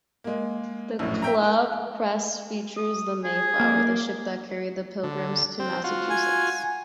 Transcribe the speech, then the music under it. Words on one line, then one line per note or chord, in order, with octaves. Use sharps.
The club crest features the "Mayflower", the ship that carried the pilgrims to Massachusetts.
G#3 A#3
A#1 F#2 A2
E5 G5 A#5
D#6
G#4
A#3
D3
C4
F4 F#4
G#5